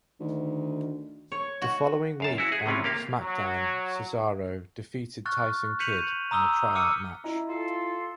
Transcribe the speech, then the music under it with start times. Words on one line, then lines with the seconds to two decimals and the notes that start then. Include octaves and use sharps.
The following week on "SmackDown", Cesaro defeated Tyson Kidd in a tryout match.
0.20 D2 D#3
1.32 C#5
1.62 F#4
2.20 F#2 F5 A5
2.38 E4 F#4
2.52 G#4
2.66 A2 C3 C#4 F4
2.84 A#3 G4 F5
3.19 F#3
5.26 C#6 F6 F#6 A6
5.80 G6 B6 C#7 D#7 F7 F#7
6.31 A#5 D#6 E6 G7
6.75 D6 E6 F6 C#7 D#7
7.24 E4 D#5 A#5
7.48 F4 A4 C6